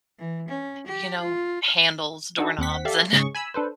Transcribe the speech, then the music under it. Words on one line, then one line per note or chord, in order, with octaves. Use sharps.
you know, handles, doorknobs, and
E3
C#4
G4
F4
D4 D#4 F#4 G#4 A4
D#2 C4 F#5 B6
G4 A4 D5 E5 F5
G#2 C#3 G#3 C#4 G#4 C#6
G#5 B5 E6
D4 A4 B4 C5